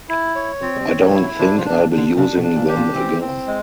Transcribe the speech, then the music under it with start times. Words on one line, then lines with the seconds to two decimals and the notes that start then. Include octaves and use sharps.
I don't think I'll be using them again.
0.09 E4
0.35 C#5
0.61 F3 C4
0.76 G#3
0.81 G3
0.87 C#5
1.00 G3
1.10 F3 E4
1.20 F#3
1.39 F3 D4
1.58 F3
1.65 E3 D4
1.78 D#3
1.91 D4
1.97 D3
2.17 C#3 D4
2.36 B2
2.43 D4
2.56 A#2
2.69 G4
2.76 A#2
2.95 E3 C4
3.21 C4
3.47 G#3